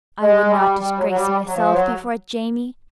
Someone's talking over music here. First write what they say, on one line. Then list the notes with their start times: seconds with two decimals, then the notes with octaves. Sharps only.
I would not disgrace myself before Jamie.
0.22 G#3
0.50 G3
0.79 G3
0.98 F#3
1.09 F#3
1.16 G3
1.46 F#3
1.54 F3
1.73 F#3